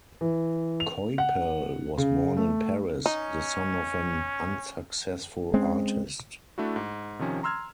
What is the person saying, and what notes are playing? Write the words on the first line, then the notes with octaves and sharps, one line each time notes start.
Coypel was born in Paris, the son of an unsuccessful artist.
E3
F7
F#5
C#3
A3
C#4 D#4
G#3 C4 C#4
A3 D4 E4 F#4
G#2
C3 D#3 F3 C#4
A#5 C6 E6 F6 G#6